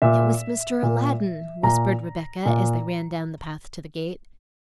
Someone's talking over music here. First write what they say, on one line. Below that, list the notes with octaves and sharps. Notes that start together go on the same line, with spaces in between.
"It was Mr. Aladdin," whispered Rebecca, as they ran down the path to the gate.
A#2 E5
A#2
A#2 A#5
A#2